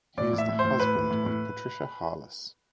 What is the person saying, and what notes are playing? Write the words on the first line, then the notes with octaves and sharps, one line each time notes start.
He is the husband of Patricia Harless.
A2 D5
A2
E5
A2
C5
A2
A2 B4
A2
A2
A2